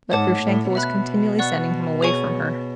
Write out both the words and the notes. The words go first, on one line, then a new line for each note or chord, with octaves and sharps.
But Grushenka was continually sending him away from her.
G#2 C#5 F#5 A5 D6
A2
B2 E5 B5 F#6
D5 F#5 C#6 F#6
G#4 C#5 G#5 C#6